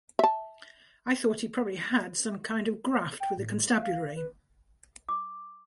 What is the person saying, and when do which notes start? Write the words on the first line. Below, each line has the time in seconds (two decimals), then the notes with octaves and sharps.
I thought he probably had some kind of graft with the constabulary.
0.19 E5 A5
3.20 G5
3.38 A2
3.70 F5
3.82 F5
4.16 B4
5.09 D6